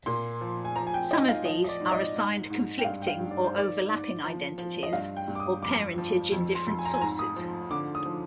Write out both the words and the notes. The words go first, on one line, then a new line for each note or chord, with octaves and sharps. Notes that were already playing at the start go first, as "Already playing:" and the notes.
Some of these are assigned conflicting or overlapping identities or parentage in different sources.
A#2 C6
F3
G#5
F3 A#5
G#5
G5
G#2 D#5
F5
F3 D#5
D#5
D5
G#2 D5
D#5
G#2
G#2
G5
G2 F5
G5
F5
G2
D5
C5
D#3 D5
G#2
F3
F3
D#5
G2 F5
G5
G2
D6
D#6
F2 D6
F3
F2
C6
F2
G#5
A#5
G#5
G#2 A#5
D#6
F3
D3 D6
D#6
F3